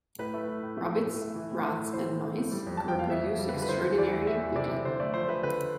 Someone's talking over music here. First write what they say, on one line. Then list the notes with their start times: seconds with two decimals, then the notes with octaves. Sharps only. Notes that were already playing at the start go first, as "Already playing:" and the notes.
Rabbits, rats and mice can reproduce extraordinarily quickly.
0.18 A2 B4
0.34 A3
0.48 A2
0.63 A2
0.77 A3
0.92 A2
1.06 A2
1.21 A3
1.35 E3
1.50 A2
1.64 A3
1.79 A2
1.93 E3 C5
2.08 A2
2.24 A3
2.38 A2
2.52 G3
2.67 F2
2.77 F2 A5
2.88 G5
2.95 F2 F5
3.10 F2 E5
3.25 F2
3.39 G3
3.49 B4
3.54 D3
3.62 B4
3.68 E3 C5
3.83 E2
3.98 E2 D5
4.13 A3
4.26 E2 E5
4.41 E3
4.56 C3 D5
4.71 E3
4.85 D3 C5
5.00 A3 D5
5.14 F3 C5
5.29 A3 B4
5.43 D3 B4